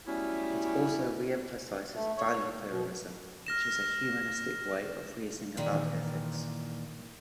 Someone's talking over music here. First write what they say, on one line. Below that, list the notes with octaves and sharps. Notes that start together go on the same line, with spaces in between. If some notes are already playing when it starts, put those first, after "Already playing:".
It also re-emphasises value-pluralism, which is a humanistic way of reasoning about ethics.
F#3 G3 A3 B3 C#4 E4
A3
C#5
B2
F6 A#6 E7
A#2 D#3 E3